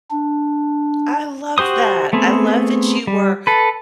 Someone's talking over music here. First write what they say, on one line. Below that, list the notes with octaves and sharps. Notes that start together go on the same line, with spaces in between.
I love that I love that you were
D4
F#4 G4 C5 D#6
A3 B3 C4 G#4
G3
A4 B4